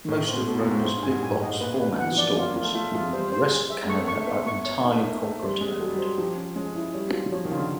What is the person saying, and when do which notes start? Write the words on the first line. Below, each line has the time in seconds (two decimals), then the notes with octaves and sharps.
Most of Rona's big-box format stores in the rest of Canada are entirely corporate-owned.
0.08 A2 A4
0.28 C5
0.33 B2
0.46 B2 A4
0.59 A#2
0.65 G#2 A4
0.72 A2
0.84 G#2 C5
0.97 G2
1.03 G#5
1.10 G#2
1.22 A2 G#5
1.42 G#2 D#5
1.61 A#2 B4
1.74 B2
1.80 B4
1.86 D3
1.99 E3 F#5
2.12 F3
2.18 D5
2.24 A#3
2.36 B3 F4
2.50 A#3
2.56 F4
2.63 A3
2.75 A3 F4
2.94 G#3 F4
3.13 G3 C5
3.32 C5
3.51 G#4
3.70 E5
3.85 G#3
3.89 A3 C#6
4.02 A#3
4.08 C#6
4.15 A3
4.27 B3 C5
4.47 C#6
4.66 C#5
4.85 D#4
4.92 A3
5.03 A#3 D#4
5.23 A3 D#4
5.41 G3 C5
5.61 G#3 C#4
5.80 F#3 A4
5.88 G3
5.95 F#3 C5
6.18 F3 G4
6.37 C#4
6.56 G#3 C#4
6.75 E4
6.94 G3 C#5
7.07 F#3
7.13 F4
7.19 F#3
7.32 F3 C#5
7.45 D#3
7.51 C#3 F4
7.57 D3